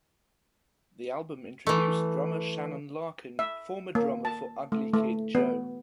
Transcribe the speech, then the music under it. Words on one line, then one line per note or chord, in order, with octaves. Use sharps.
The album introduced drummer Shannon Larkin, former drummer for Ugly Kid Joe.
E3 A3
E5
A#3
A5
A3
A3
B3